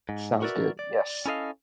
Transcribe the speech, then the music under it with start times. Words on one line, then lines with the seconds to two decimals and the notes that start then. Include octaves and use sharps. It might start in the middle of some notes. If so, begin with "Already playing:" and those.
Sounds good, yes.
0.09 G#2
0.42 F#4 A#4 B4 D5 E5
0.79 D5
1.26 C#4 E4 A4 D#5 F5